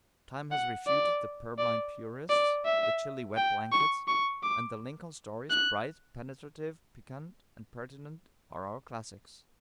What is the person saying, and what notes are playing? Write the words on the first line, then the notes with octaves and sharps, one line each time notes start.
Time has refuted the purblind purists, the chilly "wet-blankets"; and the Lincoln stories, bright, penetrative, piquant, and pertinent are our classics.
F#5
D5
D5
D5
E5
G5
C#6
C#6
D6
F#6